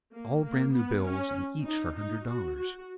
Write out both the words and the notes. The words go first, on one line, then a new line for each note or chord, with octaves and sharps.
"All brand new bills and each for a hundred dollars."
A#3
A#3
B3
C#4
D#4
D#4
F#4
F#4